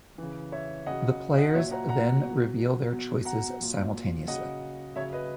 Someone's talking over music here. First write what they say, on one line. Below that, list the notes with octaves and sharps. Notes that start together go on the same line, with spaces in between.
The players then reveal their choices simultaneously.
C#3 E3
C#5 E5
C#3 F#3 D#5 F#5
D#5 F#5
A#2 F#3 C#5 E5
F#5 A#5
F#5 A#5
B2 F#3
B2 F#3
F#5 A#5
A#2 F#3
C#3 F#3 D#5 F#5
C#3 F#3 C#5 E5
B4 D#5